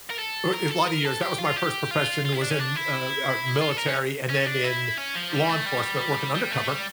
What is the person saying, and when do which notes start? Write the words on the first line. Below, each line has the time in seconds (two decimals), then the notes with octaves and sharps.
uh, a lotta years, that was my first profession was in, uh, uh, military and then in law enforcement working undercover,
0.10 A#4
0.19 A4
0.54 A#4
0.71 A4
0.88 A#4
1.05 A4
1.21 G4
1.38 F4
1.56 G4
1.91 F4
2.25 F4
2.33 E4
2.41 D4
2.50 C#4
2.59 D4
2.75 E4
3.61 F4
3.70 A4
3.77 A#4
3.87 C#4
4.29 C#4
4.46 D4
4.64 E4
4.97 C#4
5.15 F3
5.32 G3
5.49 A3
5.66 G3
6.35 G3
6.51 A3
6.68 G3